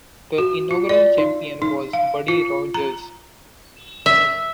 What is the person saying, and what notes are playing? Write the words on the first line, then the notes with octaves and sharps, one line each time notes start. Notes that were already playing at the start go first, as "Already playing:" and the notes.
The inaugural champion was Buddy Rogers.
F#4
F4
D5
D#4
D#4
F5
F4
A#5
E5